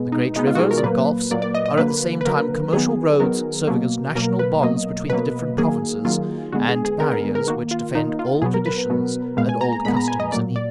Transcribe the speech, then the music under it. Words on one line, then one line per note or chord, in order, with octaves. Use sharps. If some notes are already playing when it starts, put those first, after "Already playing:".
The great rivers and gulfs are at the same time commercial roads serving as national bonds between the different provinces, and barriers which defend old traditions and old customs in each.
Already playing: B2 G#3 B3
D#4
B2 G#3 B3 D#4
F4
F#4
G#4
A#4
D5
A#2 F#3 A#3 B4
A#2 F#3 A#3 D5
D5
D#5
D#5
D3 F#3 A#3 B4
B4
D3 F#3 A#3 A#4
D#3 F#3 B3 G#4
D#3 F#3 B3 A#4
B2 F#3 A#3
B2 F#3 A#3 A#4
B4
B2 F#3 A#3 D#5
B2 F#3 A#3 B4
D#3 F#3 A#3 G#4
D#3 F#3 A#3 F4
D3 G#3 B3 F#4
G#4
G#4
D3 G#3 B3 A#4
A#4
A#4
D#3 A#3 F#4
F4
D#3 A#3 D#4
F4
B2 F#3 B3 G#4
A#4
B4
B2 F#3 B3
A#2 G#3 B3 F5
G#5
A#5
A#5
A#2 G#3 B3 B5
A#5
G#5
D#5
A#2 F#3 A#3 D5
D5